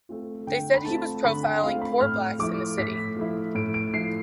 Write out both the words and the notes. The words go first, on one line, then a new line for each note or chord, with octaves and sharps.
They said he was profiling poor blacks in the city.
A3 C4 F4
D3 G5
B5
A3 C4 F4 A5
D3 B5
G5
A3 C4 F4 F5
B5
A2 F6
F3 A3 E4 D6
A2 B6
F3 A3 E4
A2 D7
D7
F3 A3 E4 C7